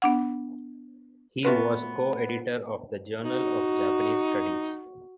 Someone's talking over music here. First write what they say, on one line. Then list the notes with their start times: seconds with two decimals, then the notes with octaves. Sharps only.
He was co-editor of the "Journal of Japanese Studies".
0.02 B3 D4 F#5
1.45 A3 B3 D4 F4 F#4 B4
3.24 D#4 F#4